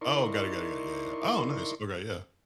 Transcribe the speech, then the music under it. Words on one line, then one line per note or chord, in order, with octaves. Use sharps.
Oh, got it, got it, yeah, yeah. Oh nice, okay, yeah.
D#4 E4 A#4 D5 C6 C#6